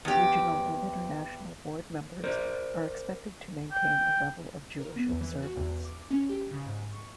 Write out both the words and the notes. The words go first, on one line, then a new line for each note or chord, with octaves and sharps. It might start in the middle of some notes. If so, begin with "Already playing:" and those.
Regional and international board members are expected to maintain a level of Jewish observance.
E2 G4
A#4 C5 D5
G5
A#4
B3
E2
E3
F#4
E2
D6
C#4
G4
C#3
G#2
C#6